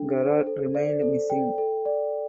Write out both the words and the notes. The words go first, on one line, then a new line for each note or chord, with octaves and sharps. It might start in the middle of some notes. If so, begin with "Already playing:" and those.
Garat remained missing.
Already playing: D4 A4 G5
C5
A4
D5
A4
G5
A4
D5